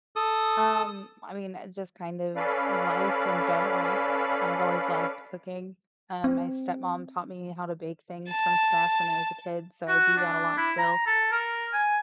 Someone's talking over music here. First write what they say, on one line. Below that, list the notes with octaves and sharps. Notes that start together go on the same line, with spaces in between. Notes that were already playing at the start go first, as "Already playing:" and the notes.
Um, I mean, uh, just kind of life in general, I've always liked cooking, uh, my stepmom taught me how to bake things from scratch when I was a kid, so I do that a lot still.
A4 D#6
C#4 A4 B4 D5 F5
C4
A5
F#4
D4
E4
A#5
A4
A#4
G#5